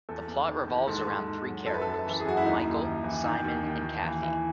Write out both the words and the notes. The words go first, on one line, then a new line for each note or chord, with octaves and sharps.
The plot revolves around three characters, Michael, Simon, and Cathy.
E2 A4
E2
D#3
E2
G#2 A4
G#2
G#2
F#3
F#2 A4
B4
F#2 A4
E3 A4
G#4
F#2 F#4
E4
D#2 D#4
D#2
D#2
E3
D#3
D#2
D#3
D#2
E3
E3